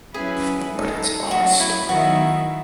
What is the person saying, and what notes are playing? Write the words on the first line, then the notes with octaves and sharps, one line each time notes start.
But it’s our story.
F#3 C#4 E4 G#4 B4
G#3 D#4 A4
F#3 A3 C#4 F#4
E4
D#3 F#3 B3 E4 F#4